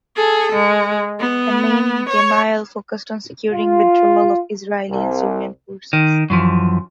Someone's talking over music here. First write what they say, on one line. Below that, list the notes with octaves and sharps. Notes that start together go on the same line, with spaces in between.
Amine Gemayel focused on securing the withdrawal of Israeli and Syrian forces.
G#4 A4
G#3
B3
C#5
F4
C2
D#3
F#2 E3 F3